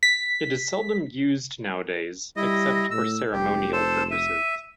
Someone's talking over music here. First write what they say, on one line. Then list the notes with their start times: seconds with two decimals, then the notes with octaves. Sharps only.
It is seldom used nowadays except for ceremonial purposes.
0.03 B6
2.37 G3 E4 D#5 A#6
2.91 A2 E6
3.33 F1 G4 G5
3.73 A4 C5 E7
4.11 E5 D#7